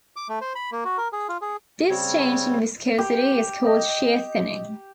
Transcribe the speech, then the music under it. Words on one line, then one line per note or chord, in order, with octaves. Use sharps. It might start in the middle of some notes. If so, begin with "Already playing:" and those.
This change in viscosity is called shear thinning.
D6
A3
C5
B5
A#3
F#4
A#4
G#4
F4
G#4
C#3 G3 C4 C#5
G4
D#5